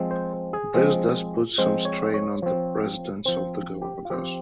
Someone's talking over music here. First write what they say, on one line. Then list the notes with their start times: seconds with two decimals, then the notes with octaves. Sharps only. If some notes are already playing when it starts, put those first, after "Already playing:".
This does put some strain on the residents of the Galapagos.
Already playing: F3 G#3 C4
0.11 C5
0.53 G#4
0.74 F3 G#3 C4
1.58 F3 G#3 C4 C5
1.85 C#5
2.14 C#5
2.42 F3 C4
3.25 F3 C4 C5
3.82 G4
4.05 F4
4.10 F3 C4 G4